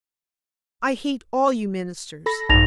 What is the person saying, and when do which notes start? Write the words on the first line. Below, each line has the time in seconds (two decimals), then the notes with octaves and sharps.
I hate all you ministers.
2.26 A4 B5 A#6
2.49 A#1 G2 D#4 A#6 F7